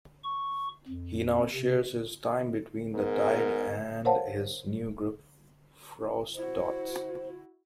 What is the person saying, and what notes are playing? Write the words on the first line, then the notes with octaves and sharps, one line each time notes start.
He now shares his time between The Tyde and his new group Frausdots.
C#6
F2
C3
G#2 B3 G#4 A#4
A#4 C5 C#5 F5 F#5 A5
E4 F#4 C5